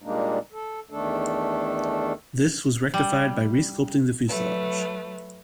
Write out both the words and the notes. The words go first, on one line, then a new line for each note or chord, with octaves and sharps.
This was rectified by re-sculpting the fuselage.
A#2 G3 G#3 A#3 D4 D#4
A4
E2 D#3 A3 D4 A4
G3
F#3 A3 B4